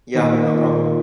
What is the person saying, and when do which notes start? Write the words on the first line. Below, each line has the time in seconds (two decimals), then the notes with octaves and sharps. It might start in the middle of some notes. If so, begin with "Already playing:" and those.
Ya! No problem.
0.15 A#2 D#3
0.36 A#2
0.55 F4
0.75 F4